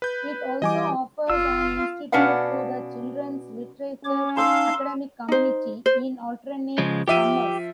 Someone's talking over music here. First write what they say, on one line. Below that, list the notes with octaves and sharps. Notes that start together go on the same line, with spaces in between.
It also offers an institute to the children's literature academic community in alternate summers.
B4 G6
E3 G3 F#4 D#5 G#5 D6
F#1 F4 E6
B2 C#4 D4 B4 F5 F#5
C#4 C#5 D6
D#4 C5 F5 A5 C6 E6
D#4 C5
C5
C#3 F3 G#3
F3 G4 E5 D#7